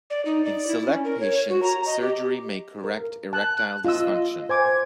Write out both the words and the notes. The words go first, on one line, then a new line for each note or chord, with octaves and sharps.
In select patients surgery may correct erectile dysfunction.
D5
D#4
D5
E4
C#4
A#4
C#5
F#4
A#5
D#5
G4
A#4
A5 F#6
F4 D#5 E6
C5 G#5 D6 G#6